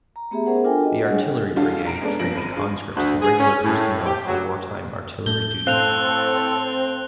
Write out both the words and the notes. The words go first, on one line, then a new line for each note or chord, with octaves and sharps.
The Artillery Brigade trained conscripts and regular personnel for wartime artillery duties.
A#5
A3 B3 G4 G#4 E5
B3 C#4 G#4 A#4 C5 F#5
D4 F4 A4 A#4 G5 G#5
F#4 D#5
G3 G#3 D4 G#4 D#5 F#5
E3 G3 C#4 F4 F#4 A4
B1 A#5 D7
G#3 A3 B3 C#4 D4
F2 F3 B3 A#6 D7 F#7
G#1 B5 D#7
F4 G#4 B5
D2
G#4
C#4
A2
G4
F#3
A2 A3 G6 G7
A2 C4 A4 F5 F#6 F7